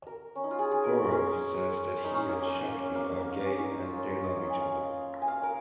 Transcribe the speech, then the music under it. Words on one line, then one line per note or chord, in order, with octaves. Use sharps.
Gaurav says that he and Shakti are gay and they love each other.
A#4
C#4
D#4
F4
G#4
G#4
A#4
C#5
C#4
D#4
C#4
A#3
C#4
A#3
C#4
A#3
A#3
D#4
C#4
C#4
D#4
F4
C#5
A#4
D#5
F5
G#5
F5
D#5
G#5
F5
A#4